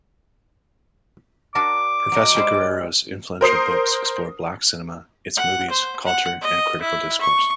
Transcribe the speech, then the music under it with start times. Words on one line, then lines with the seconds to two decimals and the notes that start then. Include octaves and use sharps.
Professor Guerrero's influential books explore black cinema, its movies, culture and critical discourse.
1.55 D4 F#4 A#4 D6
2.12 F#3 D#5
2.35 G3 G#3 C5
3.41 A#4 C5 D#6 C7
5.37 F#5
5.70 C5
6.04 F#5
6.41 D#5
6.81 E4
7.21 C#6